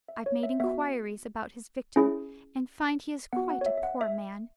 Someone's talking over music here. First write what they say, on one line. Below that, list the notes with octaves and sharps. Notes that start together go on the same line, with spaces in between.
I've made inquiries about his victim, and find he is quite a poor man.
E5
C#5
E5
B3 F#4 E5
C#4 E4 G#4
B3 F#4 F#5
F#5
C#5
E5
E5
F#5
E5